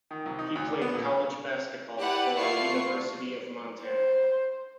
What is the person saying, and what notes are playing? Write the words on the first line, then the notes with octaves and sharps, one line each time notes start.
He played college basketball for University of Montana.
D#3
C2
D#4
D2
D5
B3
A#2
E4 G4 B4 D5 F#5
A3 E4 F4 D5 C#6 C7
C5